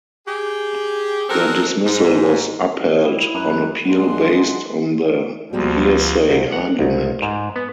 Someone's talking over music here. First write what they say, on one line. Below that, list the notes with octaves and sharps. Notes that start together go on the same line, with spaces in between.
The dismissal was upheld on appeal based on the hearsay argument.
G4 G#4
F#3 G#3 C4 A4 A#4
G#2
G3 E4
F#2 B4
B1 G#3 D4 F#5 C6
D2 B2 F3 G3 G#3 A#3
C2
F#5
C2
G#2
B3